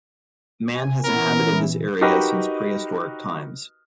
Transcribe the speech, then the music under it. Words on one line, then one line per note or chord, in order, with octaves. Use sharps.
Man has inhabited this area since prehistoric times.
G#5
A#2 E3 B3 C#4 E4 A#4
D#4 F#4 G4 A#4 B4 D#5